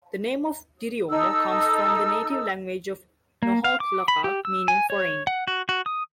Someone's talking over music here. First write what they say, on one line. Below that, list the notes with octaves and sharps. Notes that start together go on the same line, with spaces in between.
The name of Diriomo comes from the native language of Nahuatlaca, meaning foreign.
D#4 A4 E6
A#3
F5
D6
B5
G4
E6
G#5
C#5
F#5
F#4
F#4
D#6